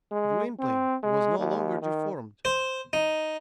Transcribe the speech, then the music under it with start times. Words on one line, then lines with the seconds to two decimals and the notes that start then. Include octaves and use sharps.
Gwynplaine was no longer deformed.
0.11 G#3
0.59 C4
1.03 G#3
1.38 D#2
1.82 D#3
2.45 C5
2.93 D#4